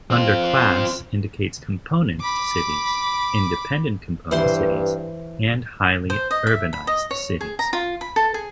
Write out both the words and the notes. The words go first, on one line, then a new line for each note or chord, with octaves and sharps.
Under class, indicates Component cities, Independent Component cities, and Highly urbanized cities.
C4 F4
B5 D6
G2 E3 C5 C6
C5
D#5
E5
B5
D#5
C#5
G#4
A#5
F4
B5
A4
G#4